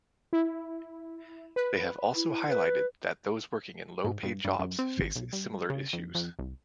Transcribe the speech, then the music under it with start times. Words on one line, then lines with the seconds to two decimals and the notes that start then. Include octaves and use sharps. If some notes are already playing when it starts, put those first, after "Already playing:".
They have also highlighted that those working in low paid jobs face similar issues.
0.33 E4
1.56 B4
2.15 E4
2.49 B4
4.04 G#2
4.23 G2
4.45 G2
4.59 F#2
4.79 C4
5.01 G#1
5.16 B1
5.33 G2
5.70 C#3
5.93 F2
6.15 F2
6.39 C2